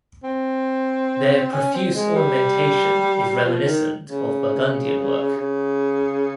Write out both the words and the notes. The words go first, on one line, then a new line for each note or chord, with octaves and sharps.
Their profuse ornamentation is reminiscent of Burgundian work.
C4
C#4
C4
G#3
G3
F3
D#3
C#3
C#3